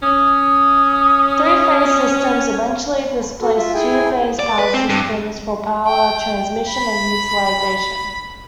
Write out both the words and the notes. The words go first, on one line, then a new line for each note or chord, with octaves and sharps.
Three-phase systems eventually displaced two-phase power systems for power transmission and utilization.
C#4 D#6
F#4 A4
F4 E5
E4 G#4 G5 G#5
D5
B4
C4
G2
G5
B5